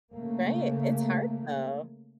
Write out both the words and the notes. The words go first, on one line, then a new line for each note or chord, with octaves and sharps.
Right, it's hard, though.
C#3 A3 A#3